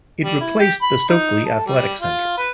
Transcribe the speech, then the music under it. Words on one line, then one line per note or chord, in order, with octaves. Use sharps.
It replaced the Stokely Athletic Center.
G3
E4
G4
B5
D#4
A4
G3
F4
B4